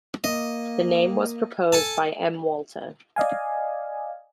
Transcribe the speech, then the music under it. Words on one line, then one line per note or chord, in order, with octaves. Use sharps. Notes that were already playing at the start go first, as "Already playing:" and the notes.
The name was proposed by M. Walter.
A#3 D#5
A4 G#5 A5
D5 D#5 F5 G#5